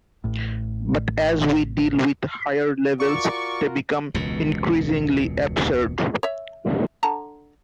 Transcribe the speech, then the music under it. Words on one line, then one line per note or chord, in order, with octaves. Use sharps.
But as we deal with higher levels they become increasingly absurd.
A1 A2
F4 F#4 A#4 D5 C#6
E1 C#2 F#2 B2
C#5 E5
D3 A5 A#5